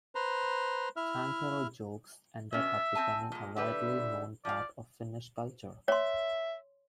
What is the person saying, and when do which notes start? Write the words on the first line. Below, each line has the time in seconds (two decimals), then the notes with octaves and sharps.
"Tankero jokes" ended up becoming a widely known part of Finnish culture.
0.15 B4 C5 A#5
0.97 E4 E5 F6
2.53 B2 C#4 E5
2.95 C4 G#5 A5
3.32 A#2 G#3
3.57 D3 G3 B4 E5
4.45 F3 D5 F5
5.88 C#5 E5 C6